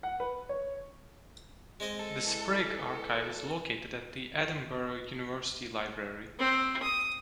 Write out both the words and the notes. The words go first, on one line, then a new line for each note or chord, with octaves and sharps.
The Sprigge Archive is located at the Edinburgh University Library.
F#5
B4
C#5
G#3 C4 D#5
A4
E3
C4
D#6